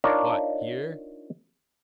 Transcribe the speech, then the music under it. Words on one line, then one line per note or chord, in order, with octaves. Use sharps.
"What, here?"
D4 D#4 F4 A#4 C#5 D5